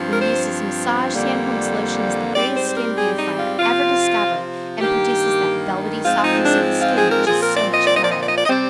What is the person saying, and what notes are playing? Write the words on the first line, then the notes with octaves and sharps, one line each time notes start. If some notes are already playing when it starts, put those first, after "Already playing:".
When used as a massage, Sandholm's Lotion is the greatest skin beautifier ever discovered, and produces that velvety softness of the skin which is so much admired.
Already playing: G2 F3 C4
A#4
C5
F2 D3 G3 A#3
G#2 G3 C4 D5
C5
C5
A#4
G#4
D#4
F4
C3 F3 C4 F4
G2 D#3 A#3 G4
G#2 F3 G#3 C4 F4
D#4
D4
F4
G#4
A#4
A#2 F3 C4 G#4
A#4
D5
D#5
D5
D#5
D5
D#5
D5
D#5
D5
D#5
C3 G3 C4 D5